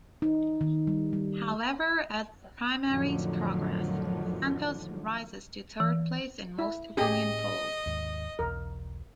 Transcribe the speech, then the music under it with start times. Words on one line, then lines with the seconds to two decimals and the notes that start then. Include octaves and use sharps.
However, as the primaries progress, Santos rises to third place in most opinion polls.
0.22 D#4
0.61 D#3
0.87 G3
1.13 G3
2.87 F2 A2 D3 D#3 F3 F#3
5.80 E3
6.59 E4
6.97 A2 A#3 C#4 G4 G#4 D#5
7.86 D#2 G#2
8.39 B1 E2 A#4